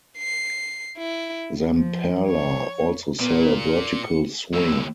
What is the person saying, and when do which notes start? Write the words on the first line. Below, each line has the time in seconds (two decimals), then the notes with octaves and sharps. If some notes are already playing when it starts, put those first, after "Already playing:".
Zamperla also sell a Vertical Swing.
0.18 C7
0.98 E4
1.74 F3
2.27 C#5
3.20 A#2 B3
3.58 C#7
4.54 D#2 A2 E6